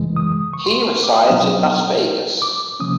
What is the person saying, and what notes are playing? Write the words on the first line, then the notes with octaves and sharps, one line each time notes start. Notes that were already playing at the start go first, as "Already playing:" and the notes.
He resides in Las Vegas.
Already playing: F#2 C#3 E3 G#3
D#6
C#6
C6
C6
C#6
D6
D#6
B2 F#3 B3 D4 F4
D6
C3 F3 A#3 C#4 D#6